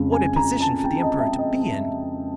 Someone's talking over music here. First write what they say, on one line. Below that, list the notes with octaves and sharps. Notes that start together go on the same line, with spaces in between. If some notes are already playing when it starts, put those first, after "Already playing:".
What a position for the Emperor to be in!
Already playing: F2 C#3 G#3
G#5
A#5
A5
G5
D#5
E5
D#5